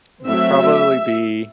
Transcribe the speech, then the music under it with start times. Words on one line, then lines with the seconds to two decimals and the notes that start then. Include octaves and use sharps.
It would probably be
0.25 F#3 A3 C4 E5